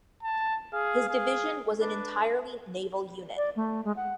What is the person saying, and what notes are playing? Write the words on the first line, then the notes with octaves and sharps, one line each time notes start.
His division was an entirely naval unit.
A5
G#4 F5
G#4
D4 B4
D5
A3
G#3
F#5